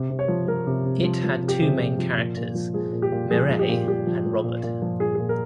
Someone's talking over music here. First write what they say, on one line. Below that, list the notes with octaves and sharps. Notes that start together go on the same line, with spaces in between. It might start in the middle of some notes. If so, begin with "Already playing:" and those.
It had two main characters "Mireille" and "Robert".
Already playing: C3
C3
C#5
F3
F3 A#4
C3
C3
F3
F3
C3
G4
C3 G#4
F3
F3
A#2
A#2
F3
F3 G#4
A#2
G4
A#2
F3 G#4
F3
G4
A#2
A#2 G4
F3
F3
A#2
A#2
F3
F3 G#4
G#4
A#2
A#4